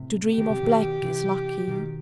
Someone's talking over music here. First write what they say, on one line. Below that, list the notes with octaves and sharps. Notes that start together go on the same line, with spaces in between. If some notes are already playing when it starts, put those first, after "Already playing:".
To dream of black is lucky.
Already playing: A2 C3
D#3 G4
C3
B2 D#3
C3 E3
B2 D#3